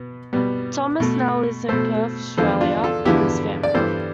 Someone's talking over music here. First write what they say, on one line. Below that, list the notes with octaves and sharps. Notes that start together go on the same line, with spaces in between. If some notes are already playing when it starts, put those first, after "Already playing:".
Thomas now lives in Perth, Australia with his family.
Already playing: B2 B3
B2 G3 B3
B2 A3
B2 A3 A4 C5
E2 D3 F3 B3 A4 C5
D4 F4
F4 A4
E2 D3 F3 B3 E4 G4
D5
G2 E3 G3 B3 A4 C5